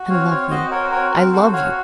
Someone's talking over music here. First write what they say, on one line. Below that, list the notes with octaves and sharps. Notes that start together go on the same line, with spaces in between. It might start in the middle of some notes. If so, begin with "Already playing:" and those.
I love you--I love you!
Already playing: F#4
C4 C#5 F5
C4 C#5 F5
F#4 C5 D#5
F#4 A#4 C#5
C5
C4 A#4 C#5
C4 A#4
F#4 A4 C5
F#4 C#5 F5